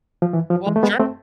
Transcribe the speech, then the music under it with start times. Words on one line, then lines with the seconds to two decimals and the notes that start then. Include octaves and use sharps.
Well, sure.
0.22 F3
0.33 E3
0.50 F3
0.67 E3 G#3
0.76 A3
0.83 G#3 B3
0.99 A3 C4